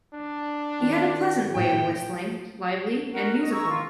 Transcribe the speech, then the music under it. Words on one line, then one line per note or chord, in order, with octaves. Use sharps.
He had a pleasant way of whistling, lively and musical.
D4
D#3 C4
A#1 A2 G5
F#4 A#4
D#5
A#5 C#6 E6
F4